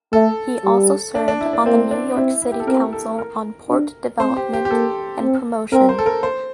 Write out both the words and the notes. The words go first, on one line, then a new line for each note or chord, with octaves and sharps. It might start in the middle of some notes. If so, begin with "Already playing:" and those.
He also served on the New York City Council on Port Development and Promotion.
A3 A4
G3
D4
D4
E4
D4
A#3 C4
D4
C4 E4
E4
G4
A4
C4 A#4
A4
A#4
D4
C4 C5
G4
G4
G4
A#3 A4
C4
C4 A#4
C5
A4
A#4
C5